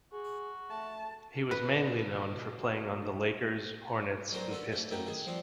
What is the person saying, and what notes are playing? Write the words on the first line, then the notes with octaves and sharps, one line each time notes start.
He was mainly known for playing on the Lakers, Hornets and Pistons.
F#4 G#4
A3 A5
F#4 B4 D#5
B1 F#3 D4 A#4 C5 A#5
D3 A#3 F4 A4 B4
G#2 A3 D4
F#3 A3 D#4 G4 A#4
D#3 G3 G#4
F3 G3 C4 D4